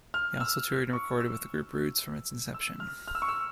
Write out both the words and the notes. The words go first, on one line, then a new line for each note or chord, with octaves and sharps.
He also toured and recorded with the group Roots from its inception.
F6
E6
C#6
E6
E6
F6
F6
E6
C#6
E6